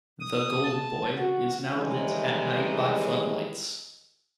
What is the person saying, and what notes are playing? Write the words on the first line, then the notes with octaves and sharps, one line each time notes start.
The Golden Boy is now lit at night by floodlights.
D#6
A5
F#4
A2 D#3 E3 G3 G#3